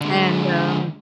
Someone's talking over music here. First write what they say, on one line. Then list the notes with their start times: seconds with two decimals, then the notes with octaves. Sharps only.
And, um
0.01 D3 G#3